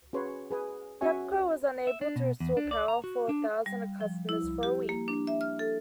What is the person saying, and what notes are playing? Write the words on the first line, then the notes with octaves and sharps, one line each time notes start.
Pepco was unable to restore power for thousands of customers for a week.
C#4 F#4 G#4 B4 C#5 C6
G#4 B4 G#5
C#4 F#4 C#5 E5 G#5 C#6
E5
D4
B2
E2
D4
D5
A#5
F#4
D4
G3
F3
E4
G4
A#3
D4
E5
F6
A4